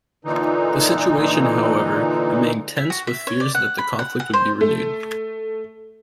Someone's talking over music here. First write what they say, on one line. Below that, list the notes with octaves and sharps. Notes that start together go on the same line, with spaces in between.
The situation, however, remained tense with fears that the conflict would be renewed.
A#2 D3 E3 D#4
E5
F#4
E5
C#5
D5
F#5
B5
F#5
F#5
C5
A3